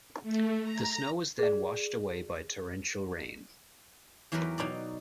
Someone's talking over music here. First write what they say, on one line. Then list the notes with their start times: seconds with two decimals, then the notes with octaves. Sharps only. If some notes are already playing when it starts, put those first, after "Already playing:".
The snow was then washed away by torrential rain.
0.23 A3
0.63 A#5
1.39 G#4 D5
4.32 E2 E3 F#3 G4 A#4 B4
4.58 B2 F#3 D#4 D5